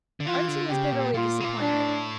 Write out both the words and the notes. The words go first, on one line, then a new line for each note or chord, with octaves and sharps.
Archie was bitterly disappointed.
D3
E3 F4
D3
C#3 G4
A#2
A#2 F4
C#3
A#2
D4
A2